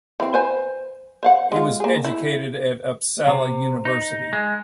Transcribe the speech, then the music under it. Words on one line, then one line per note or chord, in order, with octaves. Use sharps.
He was educated at Uppsala University.
E3 C4
B4 C5 G#5
C5 F5 F#5
G#3 F4
A#3 G#4
E4
C3
D#4
G#3